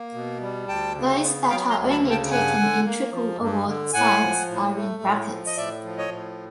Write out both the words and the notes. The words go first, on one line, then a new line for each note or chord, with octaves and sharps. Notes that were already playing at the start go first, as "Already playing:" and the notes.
Those that are only taken in Triple Award Science are in brackets.
Already playing: A#3
B2
G3
D2 G5 A5
C#3
B3
F#3 F5 G5
A#5 C6
D2
A5 B5
C#3
G5 A5
G2 F#5 G#5
D3
A#3
F3
G2
D3
A2 F#5 G#5
F3
A2
A3
A2
F3
D#5
A2 D5 E5
F3
C#5 D#5
A2